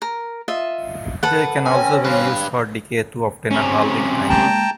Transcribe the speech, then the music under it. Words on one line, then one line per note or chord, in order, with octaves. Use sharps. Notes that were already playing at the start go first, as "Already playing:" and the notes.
They can also be used for decay to obtain a halving time.
A#4
F4 D#5 E5
A4 B4 F#5
C4 C#4 G#5
G2 B4 F5
C3 C#4
G#3 A#3 G5 A5 A#5